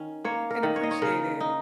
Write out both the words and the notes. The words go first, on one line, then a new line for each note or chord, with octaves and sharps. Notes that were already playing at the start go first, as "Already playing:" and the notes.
and appreciate it.
Already playing: D#3 C#4
A#3 C#5
A#4
D#3
C#5
D#5
C#5
C#3 A#4
D#4